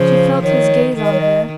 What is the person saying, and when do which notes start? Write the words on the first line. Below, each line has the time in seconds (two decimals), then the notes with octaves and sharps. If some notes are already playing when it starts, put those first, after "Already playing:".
She felt his gaze on her.
Already playing: C#3 F3 C5
0.43 D#3 C#5
0.96 D#3
1.05 D#5
1.12 C#5
1.21 D#5